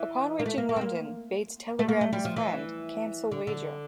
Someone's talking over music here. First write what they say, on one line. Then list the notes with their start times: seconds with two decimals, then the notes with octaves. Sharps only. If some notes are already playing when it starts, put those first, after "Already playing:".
Upon reaching London, Bates telegrammed his friend, Cancel wager.
Already playing: E3
0.40 A#3
0.46 A3
0.58 A#3
0.69 A#3
0.76 C4
0.81 A#3
1.79 A3
1.89 A#3
2.01 A3
2.13 G3
2.25 F3
2.36 E3
3.31 D3
3.47 D3